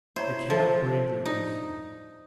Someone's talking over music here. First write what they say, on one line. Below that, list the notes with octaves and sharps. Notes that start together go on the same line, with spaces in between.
They cannot brave their own fear.
E4 C5 C#5 A#5
F3 A4 C5 E5
D#4